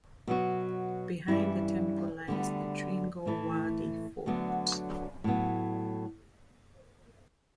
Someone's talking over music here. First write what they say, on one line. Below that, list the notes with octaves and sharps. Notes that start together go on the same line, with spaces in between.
Behind the temple lies the Tringalwadi Fort.
B2 F#3 B3 F#4
G2 E3 G3 C#4 E4
D2 D3 G3 B3
A2 E3 A3 E4
D2 D3 F#3 B3
A2 F#3 B3